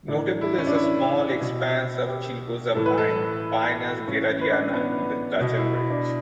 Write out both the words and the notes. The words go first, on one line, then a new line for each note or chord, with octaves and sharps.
Notable is the small expanse of chilgoza pine "Pinus geradiana" in the Dachan Range.
A2 E3 D4
E4
C#4
D4
E4
B2
G4
A2 E3 A4
B4
A4
A2 E3 C#4
C#4
B4
D4
C#4
B3
B2
E4
E4
D4